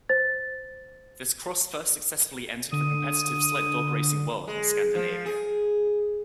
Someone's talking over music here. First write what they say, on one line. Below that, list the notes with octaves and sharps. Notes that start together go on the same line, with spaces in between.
This cross first successfully entered the competitive sled dog racing world in Scandinavia.
C5 A6
D3 D#6
G#3
F3
G#4